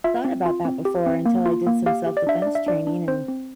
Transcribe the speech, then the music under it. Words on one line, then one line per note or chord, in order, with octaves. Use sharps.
thought about that before, until I did some self-defense training and
F4 E5
C4
F4
C4
G4
C4
A#3
F4
A#3
G4 F5
G4
D5
D4 E5
D4 D5
E5
D4 D5
D4
C4 C5
C4